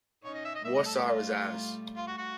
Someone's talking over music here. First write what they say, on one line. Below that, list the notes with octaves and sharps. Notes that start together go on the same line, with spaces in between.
Warsaw is ours!
C#4 D#4 C#5
D#5
E5
D#5
G3 A3 E5
D#5
A4
G4
F4
F4
F#4
F#4